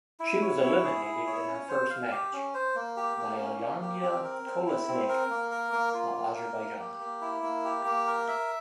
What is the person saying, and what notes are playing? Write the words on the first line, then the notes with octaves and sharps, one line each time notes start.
She was eliminated in her first match by Alyona Kolesnik of Azerbaijan.
E4
C#5
E4
G#4
E4
C#5
C#4
C5
F5
G4
C#4
C5
A#3
G4
A#3
C#4
A#3
G4
C4
A#4
C4
E4
C4
A#4
A#3
A#4
A#3
F4
A#3
A#4
A#3
G4
A#3
E4
A#3
G4
A#3
A#4
E5